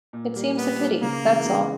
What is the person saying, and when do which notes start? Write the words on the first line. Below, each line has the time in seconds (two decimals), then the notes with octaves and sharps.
It seems a pity, that's all.'
0.13 A#2
0.36 G3 A#3
0.57 A#2 B3
0.79 G3 A#3
1.02 C#3 A#3
1.24 E3 G#3 B3
1.45 C#3